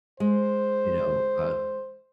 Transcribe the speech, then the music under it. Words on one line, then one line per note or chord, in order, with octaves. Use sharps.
you know, uh
G#3 C5